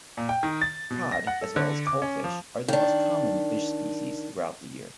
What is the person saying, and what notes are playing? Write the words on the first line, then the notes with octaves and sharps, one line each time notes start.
Cod, as well as coalfish, are the most common fish species throughout the year.
A#2
G5
D#3
A6
B2
A#6
F#5
A4
D3
D6
C#4
F3
D#3 D4